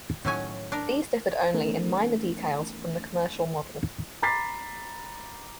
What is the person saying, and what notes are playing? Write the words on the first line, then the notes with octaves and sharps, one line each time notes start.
These differed only in minor details from the commercial model.
A2 D#3 F#3 C#4 G#5
D4 A#4
E3 A3 B3 C#4 D#4 A#4
A#5 B5 D6 A6 B6 C7